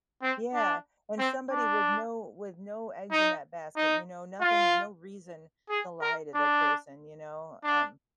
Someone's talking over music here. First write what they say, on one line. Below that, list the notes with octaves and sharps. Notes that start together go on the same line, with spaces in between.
Yeah, and somebody with no with no eggs in that basket, you know, nothing no reason to lie to the person, you know. Um
C4
D4
C4
D4
D#4
D#4
F4
G#4
A#4
D4
D4